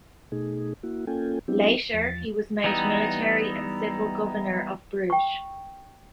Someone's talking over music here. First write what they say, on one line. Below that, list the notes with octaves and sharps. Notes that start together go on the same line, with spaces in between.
Later, he was made military and civil governor of Bruges.
B2 A3 D#4 G#4
A#3 E4 F#4
A#3 C#4 F4 A4 G5 G#5
F#3 B3 C4 D4 E4 G4
E2 F3 A6
E3 G3 B3 D#4 E4
G5 C#6